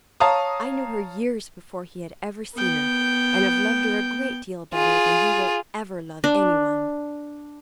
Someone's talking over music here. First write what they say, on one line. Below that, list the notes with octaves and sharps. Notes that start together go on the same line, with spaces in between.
I knew her years before he had ever seen her, and have loved her a great deal better than he will ever love any one.
C#5 F5 A5 A#5 D#6
B3 G5
F4 G#4
D4